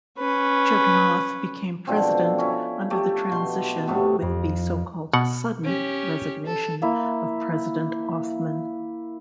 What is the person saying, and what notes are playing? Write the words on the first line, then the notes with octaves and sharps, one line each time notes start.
Jugnauth became president under the transition with the so-called "sudden" resignation of President Offmann.
C#4 B4
B2 D3 F3 C4
C#4 E4
A3 G4
B2 C6
A2 C3 A3 B3
F2
B2 F#5
C#4 G4
A4
A#3 E4